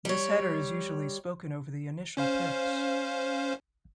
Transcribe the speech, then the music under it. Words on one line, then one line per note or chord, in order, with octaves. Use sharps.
This header is usually spoken over the initial pips.
G3 C#5
C#4 C5 F5